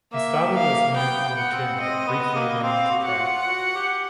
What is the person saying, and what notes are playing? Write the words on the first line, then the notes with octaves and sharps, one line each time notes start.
He started his move on the turn but briefly ran into traffic.
A#3 E5
F5
B3 G5
B3
F#5
C4
C4 D#5
B3
D#5
A#3
C4 F5
F#4
G4
F#4 F#5
F4
F#4
G4